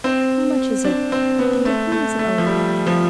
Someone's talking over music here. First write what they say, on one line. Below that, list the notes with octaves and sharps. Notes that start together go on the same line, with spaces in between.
How much is it and to whom is it owing?
C4
D4
C4
B3
A3
A3
A3
F3
G3
F3